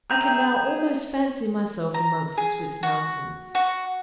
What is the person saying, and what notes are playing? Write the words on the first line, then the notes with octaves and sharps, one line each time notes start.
I could now almost fancy myself among the Swiss mountains.
G#4 E5 G5 A#5
A#5
G#4
F#4
F#4